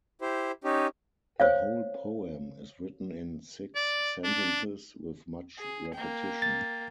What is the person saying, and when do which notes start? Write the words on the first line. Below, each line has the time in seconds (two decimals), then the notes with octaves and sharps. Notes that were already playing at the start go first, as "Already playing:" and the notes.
The whole poem is written in six sentences with much repetition.
0.21 E4 G4 C5
0.64 C#4 D#4 G4
1.40 C5 C#5 F5
3.75 D5
4.24 D4
5.58 G#4
5.94 A#3 G5
6.42 A6